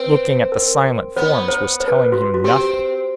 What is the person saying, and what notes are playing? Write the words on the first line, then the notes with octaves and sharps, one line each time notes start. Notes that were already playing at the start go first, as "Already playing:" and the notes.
Looking at the silent forms was telling him nothing.
Already playing: C4 B4
A#4
B3 C5
C5
C5
B4
C5
F#4
F#4
C4 G4